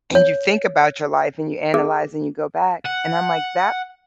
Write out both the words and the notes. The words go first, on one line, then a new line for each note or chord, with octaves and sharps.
and you think about your life and you analyze and you go back, and I'm like, "That
C#5
G#4
F#5